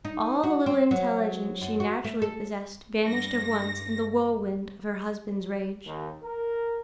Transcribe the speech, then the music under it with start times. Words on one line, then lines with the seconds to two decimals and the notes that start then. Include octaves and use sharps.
All the little intelligence she naturally possessed vanished at once in the whirlwind of her husband's rage.
0.05 D#4
0.43 F#4
0.66 C4
0.91 F#3
1.61 F#2
1.80 F#4
2.04 A3
2.22 A4
3.04 G2 A#6
5.86 D#2
6.22 A#4